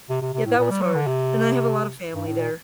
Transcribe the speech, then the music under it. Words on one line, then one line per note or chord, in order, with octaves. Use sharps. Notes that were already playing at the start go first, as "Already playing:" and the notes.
yeah, that was hard. And I have a lot of family there.
C3
C3
C3
A2
A#2
G3
F#3
D3
C3
G2
A2
A#2